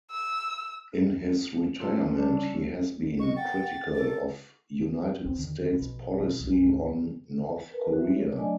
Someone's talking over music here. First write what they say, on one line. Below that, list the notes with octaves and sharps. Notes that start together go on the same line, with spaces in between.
In his retirement he has been critical of United States policy on North Korea.
E6
F3 C#4 A4 C6
C#3 G3 D4
D#5 C#6
F#5 G5 A6
A4 A#4
G#1 E2 C4
E2 D3 D#3
A#1 B2
B2 E3
B1 F2
D2 G#2 D4
A#4 B4
F#4 E5
C#5
F#3 A3 D4 D5 D#5 G#5